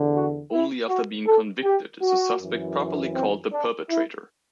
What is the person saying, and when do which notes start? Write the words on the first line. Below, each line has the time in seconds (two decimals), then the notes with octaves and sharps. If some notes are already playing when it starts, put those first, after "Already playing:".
Only after being convicted is the suspect properly called the perpetrator.
Already playing: E2 D3
0.14 F#4
0.52 E4
0.89 F#4
1.27 A4
1.64 G4
2.02 F#4
2.40 F#2 E3
3.15 C4
3.53 D4
3.90 E4